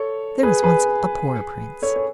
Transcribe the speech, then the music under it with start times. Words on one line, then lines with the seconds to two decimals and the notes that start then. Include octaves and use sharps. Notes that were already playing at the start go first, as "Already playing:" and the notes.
There was once a poor Prince.
Already playing: A4 C#5
0.43 G#4 B4
0.63 G#4 B4
1.82 A4 C#5
1.96 C#5